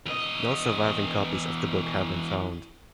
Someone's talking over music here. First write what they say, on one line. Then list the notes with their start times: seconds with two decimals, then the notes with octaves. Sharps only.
No surviving copies of the book have been found.
0.06 E2 D#5